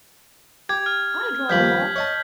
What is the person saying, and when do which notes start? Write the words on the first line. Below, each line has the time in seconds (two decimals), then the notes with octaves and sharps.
I'll draw them off!
0.69 G4 G#6
0.86 F6
1.49 D#2 F3 G3 G6 B6 F#7
1.96 C#5 D#5 A5